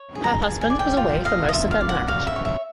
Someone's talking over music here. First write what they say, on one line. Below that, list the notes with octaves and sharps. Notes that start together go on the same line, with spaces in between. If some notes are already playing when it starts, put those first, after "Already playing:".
Her husband was away for most of their marriage.
Already playing: C#5
G#4
A#5
G#4 A5
G#5
D5
G5
F4 G5
D#5 F5
D#5
F4 E5
F5
D5
F#5
F#4 F5
E5
C#5
E5